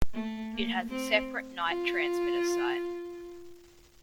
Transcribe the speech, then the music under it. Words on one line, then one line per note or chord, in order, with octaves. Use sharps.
It has a separate night transmitter site.
A3
A#3
C4
F4